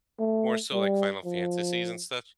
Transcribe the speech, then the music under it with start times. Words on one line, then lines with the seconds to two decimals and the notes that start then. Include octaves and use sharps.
more, so, like, Final Fantasies and stuff.
0.19 A3
0.72 G3
1.25 F3